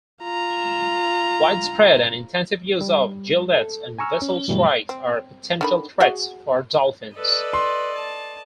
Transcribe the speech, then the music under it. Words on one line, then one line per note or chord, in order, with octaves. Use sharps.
Widespread and intensive use of gillnets and vessel strikes are potential threats for dolphins.
F4 A#5
G3
A4
G#5 A#5 C#6 E6 F6
C#4
G2 B2 E3 F#3 G3 A3
C4
D3 D#3 B5
F#4 G#4 F#5
A4 B4 D5 D#5
C6
A5